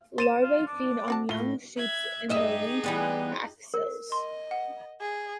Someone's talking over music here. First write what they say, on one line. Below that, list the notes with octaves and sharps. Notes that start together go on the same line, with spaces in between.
Larvae feed on young shoots in the leaf axils.
C5 A6 D#7 E7
F4
D4
C4 F#4 A5
A2 F4 G7
E5 F#6 G#6
G2 D#4 G4 G#4 D#5 E5
E3 G3 B3
A#4
D#5 C6
F#5
G#4